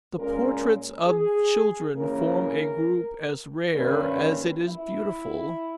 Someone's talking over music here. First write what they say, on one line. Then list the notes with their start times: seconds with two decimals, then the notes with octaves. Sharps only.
The portraits of children form a group as rare as it is beautiful.
0.18 A#2 G#3 C#4 A#4
1.07 G#4
1.96 C#3 E3 A#3 C#4 A#4
3.74 G2 D#3 A#3 C#4 B4
4.63 E4